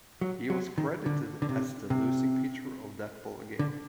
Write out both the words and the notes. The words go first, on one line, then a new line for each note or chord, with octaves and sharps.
He was credited as the losing pitcher of that ballgame.
F#3
F#3
D#3
D3
D3
C3
C3
D3